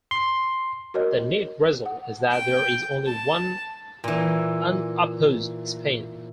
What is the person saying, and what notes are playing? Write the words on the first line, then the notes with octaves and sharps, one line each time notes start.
The net result is that there is only one unopposed spin.
C6
F#4 A#4 C#5 D#5
F#5
G5
A5
A#2 E3